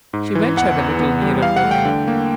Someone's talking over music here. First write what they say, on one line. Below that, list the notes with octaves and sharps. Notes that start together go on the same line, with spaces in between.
She ventured a little nearer to him.
G#2
E3
E2 F#5
E2
B3
G3
E3 F5
F#5
A3
G5
D3
A#3